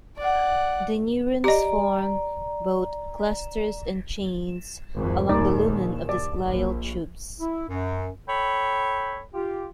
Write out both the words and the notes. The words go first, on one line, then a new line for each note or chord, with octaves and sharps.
The neurons form both clusters and chains along the lumen of these glial tubes.
D5 F#5
G4 D5 D#5 A#5
G#1 F2 C3
A#1 D#2 D#4 D5
D5
A#1
E4
F#2
A4 C#5 G5 B5
F4 G4